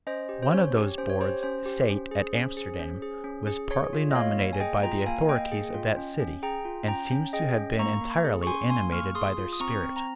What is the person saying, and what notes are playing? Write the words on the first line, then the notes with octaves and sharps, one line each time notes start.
One of those boards sate at Amsterdam, was partly nominated by the authorities of that city, and seems to have been entirely animated by their spirit.
C#4 C5 D#5
G4
C5
C#4 C#5
G4
C#4 C5
C#5
G4 C5
C#4 C5
G4
C#4
G#4
C#4
G#4
C#4
G#4
C#4
G#4
G#4 C#5
F4
D#5
A#3 C#5 F5
A#3
G#5
G#4 D#5 G5
F4 G5 A#5
A#3 F5 G#5
A#3 D#5 G5
G#4
F4
C#4
C#4
G#4 G5 A#5
F4
C#4 G5 A#5
C#4
G#4 D#5 G5
C#4
A#3 A#5 C#6
A#3
G#4
C#6
C#4 G#5 C6
A#3 G#5 C6
A#3 C#6 F6
G#4 C6 D#6
F4
D#6
C4 A#5 C#6
C4
A#5